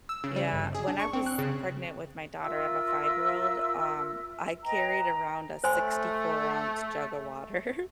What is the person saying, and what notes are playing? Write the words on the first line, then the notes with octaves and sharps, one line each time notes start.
Yeah, when I was pregnant with my daughter- I have a five-year-old- um, I carried around a sixty-four-ounce jug of water.
E6
C#3
G3
G1
G#4
D4
C#6
C4
F#6
C#3
F4 A#4 E5 E6
B4 D#5 G5 A#5
A3 C5 G#5 C6